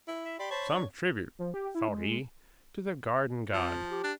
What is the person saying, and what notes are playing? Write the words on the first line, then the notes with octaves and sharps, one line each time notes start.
'Some tribute,' thought he, 'to the garden god.
E4
E5
G4 D5 B5 C6
C5 C#5 A5 B5
D4
F3
G4
E4
G#3
F2 F3
G4
D4